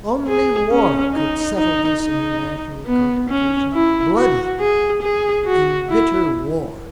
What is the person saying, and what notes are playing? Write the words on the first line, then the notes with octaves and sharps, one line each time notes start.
Only war could settle this international complication--bloody and bitter war.
G#4
C#4
D#4
D#4
D#4
B3
C#4
E4
F#4
G#4
G#4
F#4
E4